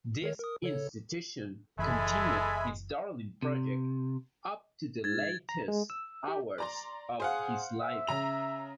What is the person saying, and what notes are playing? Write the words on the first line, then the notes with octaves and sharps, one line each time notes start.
This institution continued his darling project up to the latest hours of his life.
D#3 A#4 C#5
A#4 D#6
C#3 A4 C#5
F#1 E3 G#3 A4 E5 G#5 B5
C3
G#2 G#6 A6
A#5
G#3
E6
G4
D5 A#5 C6
G#4 C5 F5 F#5
E5
C#3 A#5 F7